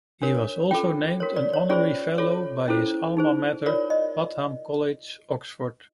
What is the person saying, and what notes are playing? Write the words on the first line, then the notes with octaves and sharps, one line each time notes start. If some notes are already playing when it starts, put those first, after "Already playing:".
He was also named an honorary fellow by his alma mater, Wadham College, Oxford.
D4 F#4 A#4 C#5
C#4 F4 A4 G5
F#4 A#4 C#5
D5
C#5
C#4 F4 G#4 C5 D5
F4 A4 C#5
C#4 E4 A4 C5
D#4 G#4 C5
F4 A#4 C#5 D5
D#5